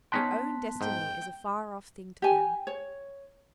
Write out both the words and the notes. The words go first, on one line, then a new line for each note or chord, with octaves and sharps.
Their own destiny is a far-off thing to them.
B3 C#4 D#4 G5 A5 C6 F#6 B6
G#2 G5
G4 G#5
C#5